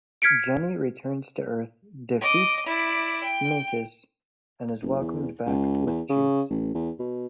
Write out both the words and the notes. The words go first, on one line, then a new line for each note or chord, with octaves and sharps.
Jenny returns to Earth, defeats Smytus, and is welcomed back with cheers.
F6 G#6 B6 C#7 D7
D#5 D6
E4 D5
G5
F#1
E2
C#2
E2
C#3
A1
E2
B2